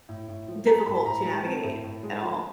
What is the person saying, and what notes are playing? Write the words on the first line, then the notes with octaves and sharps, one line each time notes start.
difficult to navigate, at all.
A2
A2
F3
A3 A#5
A2 B5
A2 A#5
G#3 A5
C4
A2
A2
G#3
F3